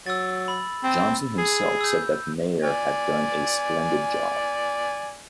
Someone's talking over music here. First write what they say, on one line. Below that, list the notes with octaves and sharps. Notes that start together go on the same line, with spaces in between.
Johnson himself said that Mair had done a "splendid job".
F#3 E6 A6
B5
C4
G#4
E6 G6
D5 G#5